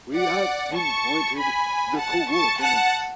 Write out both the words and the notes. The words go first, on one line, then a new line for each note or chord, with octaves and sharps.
We have pinpointed the co-ordinates.
D5 F#5
A5 C#6
G#5 B5
F#5 A5
A5 C#6
F#5 A5